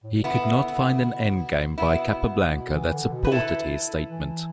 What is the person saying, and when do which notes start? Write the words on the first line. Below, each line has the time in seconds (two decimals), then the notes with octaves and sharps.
He could not find an endgame by Capablanca that supported his statement.
0.03 A2
0.14 B2
0.24 D3 B3 E4
1.01 B2
1.78 B2 B3 E4
2.55 B2
2.74 E3
2.94 D3
3.13 B2
3.25 B4
3.31 E4 A4
4.09 E3